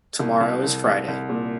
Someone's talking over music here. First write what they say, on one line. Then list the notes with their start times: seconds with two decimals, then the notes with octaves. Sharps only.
Tomorrow is Friday.
0.20 C2
0.41 C2
0.64 C2
0.86 C2
1.08 C2
1.29 A#2